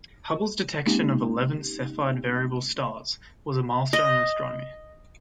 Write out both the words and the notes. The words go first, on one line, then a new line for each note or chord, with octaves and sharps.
Hubble's detection of eleven Cepheid variable stars was a milestone in astronomy.
G#3 A#3 C4 C#4 D#4 G4
D#5